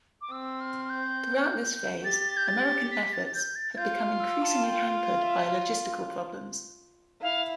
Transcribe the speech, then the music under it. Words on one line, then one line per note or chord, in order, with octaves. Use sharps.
Throughout this phase, American efforts had become increasingly hampered by logistical problems.
D6
C4 E6
F6
F6
G6
G4 A6
G6
A6
B6
A6
A6
G6
A6
F4 G6
F6
E6
A5
G5
F5
E5
E4 F5